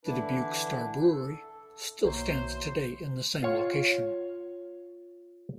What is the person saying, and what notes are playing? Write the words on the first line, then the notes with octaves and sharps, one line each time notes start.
The Dubuque Star Brewery still stands today in the same location.
D3 E3 D4 E4 B4
A4
B1 D#3 F#3 A#3 B3 E4 C5
F4 C#5